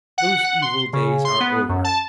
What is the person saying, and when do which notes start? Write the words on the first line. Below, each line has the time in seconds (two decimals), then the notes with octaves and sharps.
Those evil days are over.
0.18 F#5
0.44 F#5
0.62 C6
0.93 C#3
1.25 C6
1.40 B3
1.69 F#2
1.84 A5